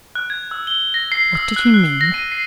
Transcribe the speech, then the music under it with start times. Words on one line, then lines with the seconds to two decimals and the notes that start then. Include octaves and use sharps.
What did he mean?
0.15 F#6
0.30 G#6
0.51 E6
0.67 G7
0.94 A#6
1.12 C7
1.35 E6
1.56 F#6
1.74 F#6
2.01 A#6
2.14 D#7
2.32 C7